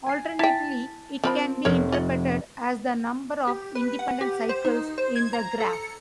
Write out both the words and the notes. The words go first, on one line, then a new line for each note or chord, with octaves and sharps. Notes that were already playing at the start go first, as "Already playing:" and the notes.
Alternatively, it can be interpreted as the number of independent cycles in the graph.
G#5 C7
E4 G5 A5 B6
F3 C4 A#4 B5
F1 A#4 C#5
F4 D#5 F#5
G4
B4
F#5
G4
C5
D#4
C5
G#6
A#5
A4
C#7